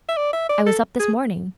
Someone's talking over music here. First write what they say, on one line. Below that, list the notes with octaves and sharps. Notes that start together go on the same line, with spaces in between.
"I was up this morning."
E5
D5
E5
D5
A4
G#4